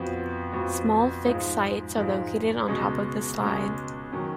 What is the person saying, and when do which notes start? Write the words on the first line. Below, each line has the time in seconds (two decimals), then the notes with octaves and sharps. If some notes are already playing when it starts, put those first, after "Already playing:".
Small fixed sights are located on top of the slide.
Already playing: F2 F3 B3 F#4
0.52 F2 F3 B3 F#4
1.24 G#2 F3 G#3
1.97 G#2 F3 G#3
2.68 C#2 B2 G#3 C#4
3.40 C#2 B2 G#3 C#4
4.12 D#3 F#3 C#4